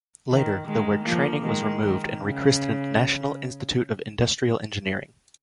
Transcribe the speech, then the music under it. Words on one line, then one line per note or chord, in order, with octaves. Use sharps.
Later, the word 'Training' was removed and was rechristened 'National Institute of Industrial Engineering'.
D#3
D#3 G#3
F3 A#3
D#3 G#3
D#3
C#3